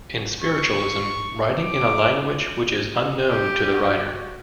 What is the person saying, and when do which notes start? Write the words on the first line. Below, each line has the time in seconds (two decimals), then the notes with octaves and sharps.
In Spiritualism, writing in a language which is unknown to the writer.
0.42 C#6
1.56 D6
3.28 G4
3.73 F#4